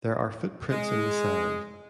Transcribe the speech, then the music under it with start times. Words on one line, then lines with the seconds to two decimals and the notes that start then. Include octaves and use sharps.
There are footprints in the sand.
0.70 G#3